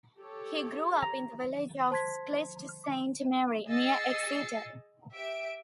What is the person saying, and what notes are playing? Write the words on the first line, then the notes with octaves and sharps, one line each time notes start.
He grew up in the village of Clyst Saint Mary, near Exeter.
G4 A4 C#5
A#5
C5 A5 C6 G#6 B6
G#4 D#5 E6 A6 C7 C#7
G4 E5 D7